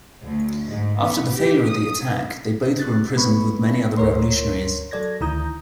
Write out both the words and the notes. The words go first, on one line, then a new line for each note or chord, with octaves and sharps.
After the failure of the attack, they both were imprisoned with many other revolutionaries.
D2
G#2
B3
G4
D#6
F#6 A6
G#3 B3 B5 C#6
D2 A#4 C#5 C6
F#3 A4 D5 G#6 A#6
D2 D#3 E4 A#5 D#6 G6